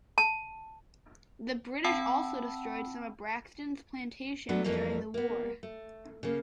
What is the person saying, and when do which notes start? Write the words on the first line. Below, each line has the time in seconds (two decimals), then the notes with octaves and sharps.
The British also destroyed some of Braxton's plantations during the war.
0.18 A5
1.84 C4 F#5 G5 A5 B5 E6
4.49 F#3 A3 B3 D4
4.64 F2 E3 F3 G3 A3 A#3
5.14 A#3 B3
5.63 A3
6.23 C#3 A#3